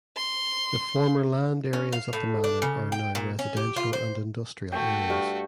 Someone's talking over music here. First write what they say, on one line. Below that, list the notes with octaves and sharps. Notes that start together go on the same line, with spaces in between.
The former land areas of the manor are now residential and industrial areas.
C6
C#4
F5
A2
D4
C#3
G5
A#2
C#4
G4
F4
C5
A3 F#4 G5
G2